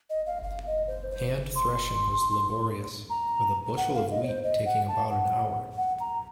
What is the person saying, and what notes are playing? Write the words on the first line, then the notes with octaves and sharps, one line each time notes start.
Hand threshing was laborious, with a bushel of wheat taking about an hour.
D#5
F5
F5
D#5
C5
C5
C6
A#5
F#5
F5
D#5
C#5
C5
D#5
F#5
A5
F#5
F#5
A#5